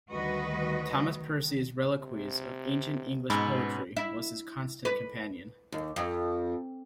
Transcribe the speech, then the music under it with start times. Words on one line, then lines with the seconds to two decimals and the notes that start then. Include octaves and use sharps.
Thomas Percy's "Reliques of Ancient English Poetry" was his constant companion.
0.13 D2 D#3 G3 F#4 B4 D#5
1.07 D#3
1.98 C3
3.30 G#2 B2 B3 C#4 B5 E6 A6
3.97 E4
4.85 B4
5.72 D#2
5.96 F2